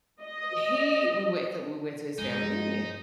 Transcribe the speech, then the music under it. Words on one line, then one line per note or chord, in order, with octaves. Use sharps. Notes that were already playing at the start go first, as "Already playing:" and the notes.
he we went to we went to his family reunion.
D#5
G2 F3 G#3 D#4